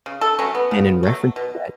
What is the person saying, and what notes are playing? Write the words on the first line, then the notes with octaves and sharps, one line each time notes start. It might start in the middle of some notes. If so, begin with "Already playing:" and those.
And in reference to that,
C#3
A4
F#3 A3 C#4
B3
C#3
F#3 A3
B2